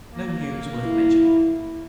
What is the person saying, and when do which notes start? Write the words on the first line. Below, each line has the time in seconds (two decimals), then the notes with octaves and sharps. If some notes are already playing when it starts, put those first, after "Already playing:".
No news worth mentioning.
0.12 A#3
0.86 E4